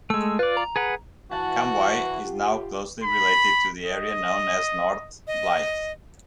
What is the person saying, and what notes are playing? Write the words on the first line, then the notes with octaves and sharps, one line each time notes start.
Cambois is now closely related to the area known as North Blyth.
G#3 A3 E6
F4 B4 D5
A#5
G#4 B4 F#5
E3 F#4 F#5 A5
F4 G4
B5
D#5
D#5